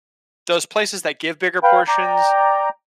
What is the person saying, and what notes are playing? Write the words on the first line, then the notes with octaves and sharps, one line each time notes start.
those places that give bigger portions,
B4 F5 G5 B5
D5 G5 A#5